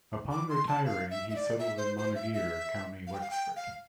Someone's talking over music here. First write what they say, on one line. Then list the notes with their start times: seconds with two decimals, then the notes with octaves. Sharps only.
Upon retiring, he settled in Monageer, County Wexford.
0.31 D6
0.49 C6
0.67 A5
0.85 F5
1.11 E5
1.30 E5
1.36 D5
1.59 E5
1.77 C5
1.97 C5
2.15 E5
2.34 E5
3.07 F5
3.13 G5
3.21 F5
3.31 G5
3.56 F5